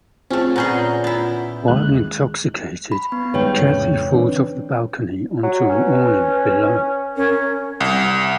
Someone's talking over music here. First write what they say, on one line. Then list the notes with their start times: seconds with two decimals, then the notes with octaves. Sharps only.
While intoxicated, Cathy falls off the balcony onto an awning below.
0.30 A3 C4 C#4 F4 G#4
0.56 A#2 B3 C#4 G#4 F#5 A#5 G6
1.04 B3 E4
1.68 D#2 G#3 F#6
2.92 B5
3.12 B3
3.34 G2 D#3 G#3 B4 C#5 G5
3.61 F2 A2 C#3
4.11 E3 C4 D4
5.43 F#3
5.70 C#4 B4
7.17 C#4 A#4
7.80 C2